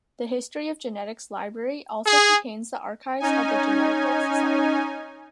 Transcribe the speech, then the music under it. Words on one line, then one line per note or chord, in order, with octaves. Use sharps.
The History of Genetics library also contains the archives of the Genetical Society.
G#4
C#4 D#4 G#5